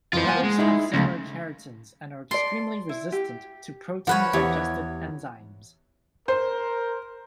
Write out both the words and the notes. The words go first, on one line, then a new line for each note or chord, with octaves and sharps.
Feathers have similar keratins and are extremely resistant to protein digestive enzymes.
F2 E3 F4 C5
A#3 F#5 G#5
G#3
D#4 E4 G#4
C#2 F3 A3 C#4
A4 D5 C6
E4
G4
F3 B4 C#5 F#5
E2 G4 C#5
A#4 C5